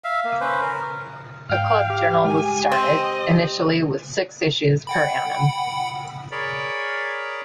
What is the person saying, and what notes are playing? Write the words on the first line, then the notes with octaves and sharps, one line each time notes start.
A Club Journal was started, initially with six issues per annum.
E5 F5
A#3
C#4 B4 C5
A#4
G#2 F5 G5 F6
G4
G#3 G#5
C4 D#5
F#5 G5 B5
G#4 A#4 C#5 D5 B5